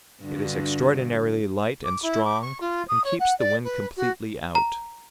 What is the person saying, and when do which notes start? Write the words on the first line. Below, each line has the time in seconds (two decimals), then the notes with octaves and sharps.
It is extraordinarily light and strong, and keeps the wind completely out.
0.23 G2 D3 F#4
1.84 D6
2.02 E4
2.24 D6
2.41 C#6
2.60 F4
2.88 D#6
3.04 C#5
3.19 F#5
3.38 D5
3.64 B4
3.96 F#4
4.55 A#5